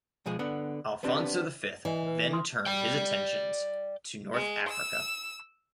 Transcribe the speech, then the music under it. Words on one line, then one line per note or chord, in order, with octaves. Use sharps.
Afonso the Fifth then turned his attentions to North Africa.
B2 F3 G#3 G#4
D3 B3 F#5
B3 C4 D4 G4
E3 D5 D#5 G#5
B4
C6 D#6 F6
D5 G5
G#3
E6